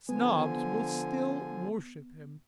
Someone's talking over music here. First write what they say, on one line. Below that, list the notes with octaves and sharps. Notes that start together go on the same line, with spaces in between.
Snobs will still worship him.
D3 F3 B3 G#5